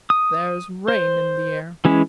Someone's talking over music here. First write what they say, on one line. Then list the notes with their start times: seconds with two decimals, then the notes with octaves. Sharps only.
"There's rain in the air."
0.10 D#6
0.88 C5
1.85 E3 G#3 C#4 E4